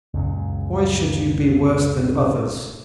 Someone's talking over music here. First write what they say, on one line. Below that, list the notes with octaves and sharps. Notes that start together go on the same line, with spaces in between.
"Why should you be worse than others?"
C#2 F#2 A#2